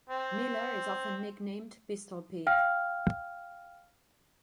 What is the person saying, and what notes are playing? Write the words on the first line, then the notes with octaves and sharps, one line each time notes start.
Miller is often nicknamed "Pistol Pete".
C4
F5 G5 F6